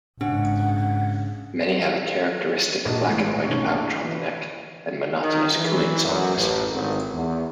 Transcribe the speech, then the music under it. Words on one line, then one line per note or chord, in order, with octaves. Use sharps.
Many have a characteristic black-and-white patch on the neck, and monotonous cooing songs.
G#1 G#2 C#3 D4 F#5
A#1 D4 F#4 A#4 D#5
A2 E3 G#3
C2 F3 C#4 D#4 C#6
A#3 D4
E4 D5
E3
D#3
E3
F#2
A1
G#1
E2